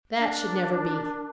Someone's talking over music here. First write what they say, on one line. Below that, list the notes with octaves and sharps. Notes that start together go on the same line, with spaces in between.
That should never be.
D4 A#4